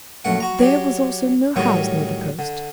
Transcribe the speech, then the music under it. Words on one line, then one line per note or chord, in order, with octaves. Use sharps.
There was also no house near the coast.
A#1 F#2 A3 F#5
F#4 A#5
F#3 G4
A2 D#3 F#3 G3 D#4
D3